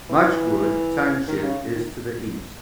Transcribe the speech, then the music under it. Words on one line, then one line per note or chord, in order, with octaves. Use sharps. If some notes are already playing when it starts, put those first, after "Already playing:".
Matchwood Township is to the east.
E3
D#3
C#3
D#3